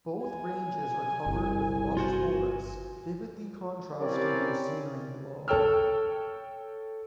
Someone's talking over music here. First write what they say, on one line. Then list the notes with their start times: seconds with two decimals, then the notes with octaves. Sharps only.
Both ranges are covered with lush forests vividly contrasting with the scenery below.
0.23 G#5
1.26 G1 C2
1.97 F4 F#4 C5
3.99 C4 C#4 E4 G4 A#4 D5
5.48 A4 C#5 G5 E6 F6